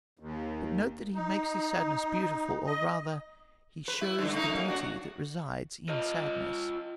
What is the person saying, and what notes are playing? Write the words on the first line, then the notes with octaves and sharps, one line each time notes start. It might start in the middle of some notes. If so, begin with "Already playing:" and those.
But note that he makes his sadness beautiful; or, rather, he shows the beauty that resides in sadness.
D#2
D#4
D#5
B4
E4
G2 D3
A3 D#4
F#2 A#3
D4 F#4
F4 D#5